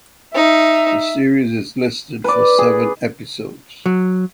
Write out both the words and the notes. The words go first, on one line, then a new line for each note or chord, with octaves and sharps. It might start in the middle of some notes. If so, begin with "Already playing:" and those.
The series is listed for seven episodes.
D#4 E5
B4 D5
G#4
F#3